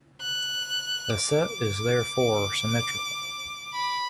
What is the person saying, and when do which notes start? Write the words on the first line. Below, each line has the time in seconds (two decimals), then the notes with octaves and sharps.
The set is therefore symmetrical.
0.22 F#6
1.10 D6
3.75 B5